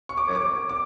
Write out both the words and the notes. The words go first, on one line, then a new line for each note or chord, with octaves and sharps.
and, eh
C#6
D6
D6
D6